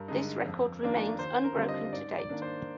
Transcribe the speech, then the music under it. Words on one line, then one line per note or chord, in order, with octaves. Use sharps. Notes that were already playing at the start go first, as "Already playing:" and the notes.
This record remains unbroken to date.
Already playing: G2 A#4
D3 G#3 D#4
F2
D#3 A#3 D4 F4
D#2 C5
A#4
D3 G3 C4 F4
D#5
G#2 D5
D5
D#3 A#3 D4
C5